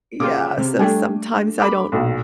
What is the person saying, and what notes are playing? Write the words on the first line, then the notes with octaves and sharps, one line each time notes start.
Yeah, so sometimes I don't
C#3 A#3 F4 G4 D6
C3
G3 A3 D4 G5 G#5
B5 D6
B1 A#2